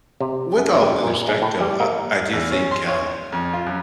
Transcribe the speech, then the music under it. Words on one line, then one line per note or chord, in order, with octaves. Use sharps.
with all due respect, though, I I do think, um,
C3
F#2
G3
A#2
G#3
A2
G3
A#3
E2
C#4
C6
C#5
F2
F4
F#2